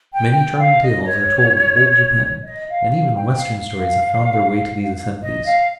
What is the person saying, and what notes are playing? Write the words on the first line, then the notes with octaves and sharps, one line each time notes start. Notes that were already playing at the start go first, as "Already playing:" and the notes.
Many charming tales are told of old Japan, and even Western stories have found their way to these assemblies.
G5
G5
F5
D#5
C#5
D#5
F5
F5
G5
F5
F5
D#5
F5